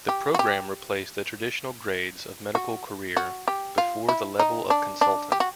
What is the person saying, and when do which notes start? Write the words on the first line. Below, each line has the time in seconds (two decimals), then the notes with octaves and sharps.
The programme replaced the traditional grades of medical career before the level of Consultant.
0.09 G4
0.34 F#4
0.39 G4
2.55 F#4
3.17 F#4
3.48 G4
3.78 F4
4.09 E4
4.39 D#4
4.70 D4
5.01 D4
5.32 G4
5.40 F#4